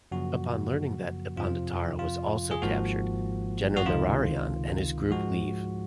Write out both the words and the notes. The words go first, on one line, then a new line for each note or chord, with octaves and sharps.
Upon learning that "Ippondatara" was also captured, General Nurarihyon and his group leave.
F#2 C#3 F3 A#3 F#4
F2 C3 F3 F4
F4
G#4
G#1 G#2 F3 A#3 F#4
F#4
C#2 C3 D#3 F4
G#2 F3 G#3 F#4